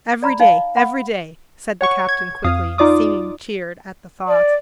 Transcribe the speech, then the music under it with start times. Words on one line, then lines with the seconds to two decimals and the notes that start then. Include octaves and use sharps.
"Every day, every day!" said the captain quickly, seeming cheered at the thought.
0.23 D5 A#5 B5
0.40 D#4 F5
0.76 F#5 B5
1.81 C#5 F#5 C#6
2.09 G#6
2.44 F2 F5 D#6
2.78 D#4 F4 D5 D6 D#6
4.28 D5